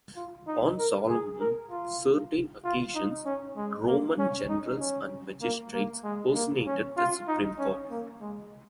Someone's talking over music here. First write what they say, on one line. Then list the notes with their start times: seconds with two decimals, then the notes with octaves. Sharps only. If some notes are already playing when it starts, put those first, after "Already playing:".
On solemn certain occasions Roman generals and magistrates personated the supreme god.
0.16 F4
0.47 D#4
0.79 A#4
1.09 G#4
1.40 A#4
1.70 F4
2.64 F4
2.95 D#4
3.26 C#4
3.57 G#3
3.87 A#3
4.19 C#4
4.49 D#4
4.80 C#4
5.42 A#3
5.73 A#3
6.04 G#3
6.35 A#3
6.67 C#4
6.97 F4
7.28 D#4
7.59 C#4
7.91 A#3
8.21 G#3